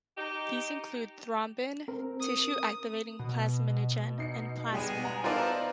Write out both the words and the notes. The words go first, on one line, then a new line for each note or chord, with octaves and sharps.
These include thrombin, tissue activating plasminogen and plasmin.
D#4 G4
C4 A#4
D#6
B2
D#4 C7 C#7
G3 G#3 B3 G#4 G5 E7
F#5 A#5
E3 B3 D#4 F4 A#4 C5 D5 A5